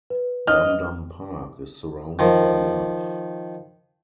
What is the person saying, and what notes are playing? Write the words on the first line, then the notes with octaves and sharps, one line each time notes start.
Dum Dum Park is surrounded by love.
B4
D#5 F6
D#3 F3